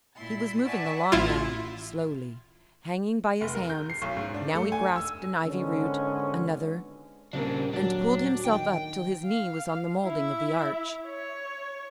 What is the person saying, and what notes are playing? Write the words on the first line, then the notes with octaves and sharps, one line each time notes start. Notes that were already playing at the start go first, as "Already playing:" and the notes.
He was moving along now, slowly--hanging by his hands; now he grasped an ivy root--another--and pulled himself up till his knee was on the moulding of the arch.
A#2 E4 E5 C6 A6
D5 E5 F#5 G#5 A5 C#6
A1 E4 F4
F1
A#4
G6
C7
B1
G#2
D4
A3
G#5
E6
G#1 D3 G#3 B3 C#4
D#1 C#3 C4 D4 A#4
F#3 D4
D#3 G5
F5
E4 E5
C#5